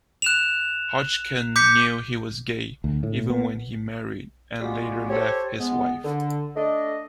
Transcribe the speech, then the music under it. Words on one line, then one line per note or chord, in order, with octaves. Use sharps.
Hodgkin knew he was gay, even when he married, and later left his wife.
F#6 E7 F7
D6 G6 B6 C#7
D2
A2
B3
G3 G#3 A#3 B3 F4 F#4
G4 A4 C5 C#5
G#3 B3
D3
A3 D4 A4 D#5